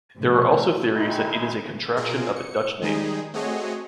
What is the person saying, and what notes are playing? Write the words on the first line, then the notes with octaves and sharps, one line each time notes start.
There are also theories that it is a contraction of a Dutch name.
A2 C3 F3
D#3 G#3 D#4 E4
B2 F4 G#4 A#4
C#7
D#3 G3 G#3 D#4 G#4
A3 C4 F#4 G#4 C#5 D#5